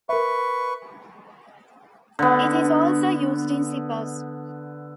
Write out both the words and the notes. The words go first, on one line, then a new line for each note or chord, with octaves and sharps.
It is also used in zippers.
A#4 B4 E5 C#6
D3 B3